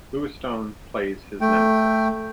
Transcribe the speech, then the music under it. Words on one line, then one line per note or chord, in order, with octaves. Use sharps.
Lewis Stone plays his nemesis.
A3 G5